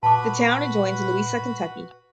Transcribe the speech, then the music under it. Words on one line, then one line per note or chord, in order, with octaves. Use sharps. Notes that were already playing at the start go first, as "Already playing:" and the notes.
The town adjoins Louisa, Kentucky.
A#2 F#4 B4 A5 B5 D6